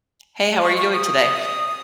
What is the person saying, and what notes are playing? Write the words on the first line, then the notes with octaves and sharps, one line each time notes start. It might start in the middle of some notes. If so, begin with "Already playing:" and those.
Hey, how are you doing today?
C#6
C#6
D#6